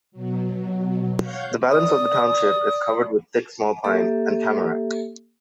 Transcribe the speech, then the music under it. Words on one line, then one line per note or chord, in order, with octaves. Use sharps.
The balance of the Township is covered with thick small Pine and Tamarack.
B2 F#3
C#5 F5 F#5 G6
D5 D#6
A#3 G4 A4 E5